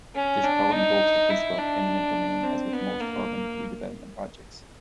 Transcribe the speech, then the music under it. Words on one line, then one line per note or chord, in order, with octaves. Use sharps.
This power invokes the principle of eminent domain as with most urban redevelopment projects.
C#4
D4
D#4
E4
D4
C4
B3
A#3